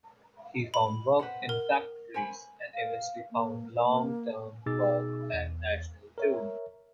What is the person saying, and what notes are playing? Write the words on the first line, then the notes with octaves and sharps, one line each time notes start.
He found work in factories, and eventually found long-term work at National Tool.
B5
B4 C5 F#5
A#4
C5 G#5 B5
F5
A#3
A#3
B2 D#4 G#4 D6 E6 A6
E2
A#4 C#5 E5